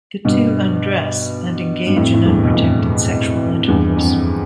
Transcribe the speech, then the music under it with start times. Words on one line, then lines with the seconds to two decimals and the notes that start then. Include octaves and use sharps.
The two undress, and engage in unprotected sexual intercourse.
0.25 G2 B2
1.87 G2
1.96 F2 A2
2.14 A2
2.25 E2 G2
2.44 B2
2.54 F2 A2
3.68 E2 G2
3.97 F2